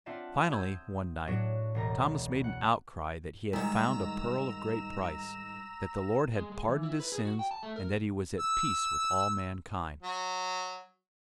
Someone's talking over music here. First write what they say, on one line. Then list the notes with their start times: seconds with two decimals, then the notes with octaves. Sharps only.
Finally, one night, Thomas made an outcry that he had found a pearl of great price, that the Lord had pardoned his sins, and that he was at peace with all mankind.
0.06 C4 D4 F4 E5 F#5 A5
0.51 D#6 E6 G6 G#6 D#7
1.28 A2 F#3 D4 F#4 E7
1.75 E1 C#2 A#5
2.44 F#5
3.53 G#2 D#3 G3 G#3 D#4 A#5 E6 E7
6.36 G#3
6.52 G#3
6.68 E3
6.83 E4
7.00 B4
7.12 G#4
7.25 F#4
7.39 G5
7.51 A5
7.63 A3
7.76 A#4
8.40 E6
10.03 F#3